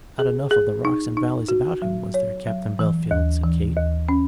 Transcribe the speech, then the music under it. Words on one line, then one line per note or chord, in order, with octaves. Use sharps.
"Not enough of the rocks and valleys about him, was there, Captain Bellfield?" said Kate.
G#4
G#4
D#4
D#4
F#4
F#3
C#5
F#3
E3
D#2
E3
D#2
C#4